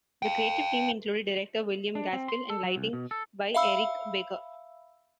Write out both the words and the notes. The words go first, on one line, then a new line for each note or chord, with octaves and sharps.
The creative team included: director William Gaskill and lighting by Eric Baker.
F5 G5
D4
C4
C6
A4
F#3
C2
B2
A4
E5 F5 B5 E6